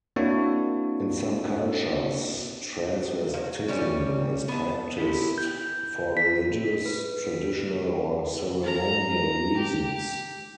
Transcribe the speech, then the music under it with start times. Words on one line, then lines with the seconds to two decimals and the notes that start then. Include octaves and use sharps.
In some cultures, transvestism is practiced for religious, traditional or ceremonial reasons.
0.16 A#3 C4 D4 E4 F#4 C#5
3.34 F3 F#3
3.68 E3 G3 C#4
4.48 B3 A5
4.98 E4 G4
5.38 G6
6.17 B6
6.86 B4
8.64 A#5
9.58 G4